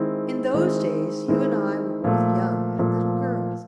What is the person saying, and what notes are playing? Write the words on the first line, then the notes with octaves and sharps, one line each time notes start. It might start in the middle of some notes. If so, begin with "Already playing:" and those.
In those days you and I were both young and little girls.
Already playing: D#3 G#3 C4 E4
D#3 G#3 C4 E4
D#3 G#3 C4 E4
A#2 F3 A3
A#2 F3 A3